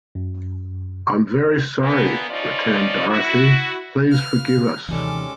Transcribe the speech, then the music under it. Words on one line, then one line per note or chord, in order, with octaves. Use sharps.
"I'm very sorry," returned Dorothy; "please forgive us."
F#2
D3 E3 A#3 B3
G2 F3 C#4 D#4 F4 D5
E4 F#4
B4 F5 F6
D#2 C3 E3 G3 G#3 C#4 A4 D6